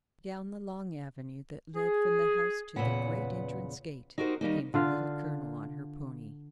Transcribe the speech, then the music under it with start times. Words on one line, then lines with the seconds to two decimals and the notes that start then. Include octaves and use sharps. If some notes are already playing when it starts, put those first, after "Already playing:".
Down the long avenue that led from the house to the great entrance gate came the Little Colonel on her pony.
1.76 G#4
2.76 E2 A#2 C#3 B4 F#5
4.18 D#4 F#4 G4 A#4 C5
4.41 D#3 G3 A#3 D#4
4.74 D3 F4 F5